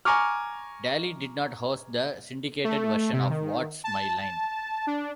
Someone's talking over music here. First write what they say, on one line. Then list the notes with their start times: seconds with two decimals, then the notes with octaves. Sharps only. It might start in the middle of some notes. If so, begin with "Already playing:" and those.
Daly did not host the syndicated version of What's My Line?
0.05 G#5 A#5 C#6 D6 F6
2.64 A3
3.13 C3
3.30 D#3
3.84 A5
4.87 D4